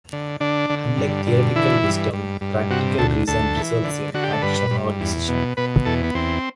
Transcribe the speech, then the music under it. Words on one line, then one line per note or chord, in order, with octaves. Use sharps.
Unlike theoretical wisdom, practical reason results in action or decision.
D3
D3 D4
D3
G2
D3
E3 E4
G2
G2
G2
C3 F#4
D2 A4
D2 A4
E3
D3
D3 F#4
G4
A4
G2 B4
G2
E2
B2
B2 B4
E2 A4
B3
E2 C4